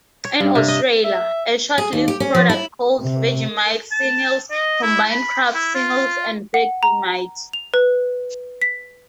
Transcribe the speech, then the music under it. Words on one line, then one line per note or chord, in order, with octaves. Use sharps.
In Australia, a short-lived product called Vegemite Singles combined Kraft Singles and Vegemite.
C#5
G2
C3
D#5
E5
G#4
D#2
G4
C#4
F3
E4
C3
A5
D#5
E4
B5
E4
F4
F#5
A#5
F7
B4
B6